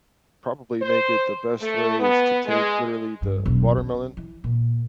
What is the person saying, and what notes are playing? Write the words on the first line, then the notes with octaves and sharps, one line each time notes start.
probably make it the best way is to take literally the watermelon,
C5
A3
B3
G#3
G2
E1 B1
D#2 D#4
C#3
E3
A#2